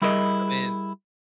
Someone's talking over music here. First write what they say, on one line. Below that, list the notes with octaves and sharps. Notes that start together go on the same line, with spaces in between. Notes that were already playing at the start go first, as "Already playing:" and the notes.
I mean,
G3 E4 G#4 A#4 B4 D#5